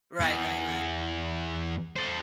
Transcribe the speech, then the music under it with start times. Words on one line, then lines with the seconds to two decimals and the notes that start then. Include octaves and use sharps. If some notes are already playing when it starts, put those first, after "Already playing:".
Right, right, right.
0.21 E2
1.96 A4 C5